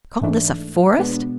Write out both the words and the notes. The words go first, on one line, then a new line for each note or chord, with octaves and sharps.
Call this a forest?
G#2 E3 A3 D4
B2 G#3 B3 D4